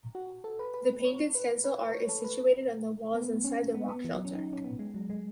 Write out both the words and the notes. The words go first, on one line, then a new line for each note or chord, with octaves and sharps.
The painted stencil art is situated on the walls inside the rock shelter.
F#4
A4
B4
B4
C#5
B4
B4
C#5
B4
C#5
A4
B4
B3
C#4
B3
B3
E3
F#3
C#4
D#4
C#4
B3
G#3
F#3
G#3